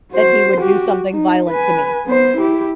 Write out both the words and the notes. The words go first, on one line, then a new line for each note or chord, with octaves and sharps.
that he would do something violent to me.
F#4 C5
F#4 G4
D#4
B4 G#5
B3 C5
E4 G4